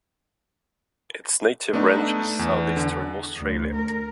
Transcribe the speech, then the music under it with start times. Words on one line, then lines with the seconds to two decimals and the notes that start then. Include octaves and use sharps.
Its native range is Southeastern Australia.
1.73 A3 B3 D4 D#4
2.39 E2
2.77 D3
3.40 D2
3.75 A#4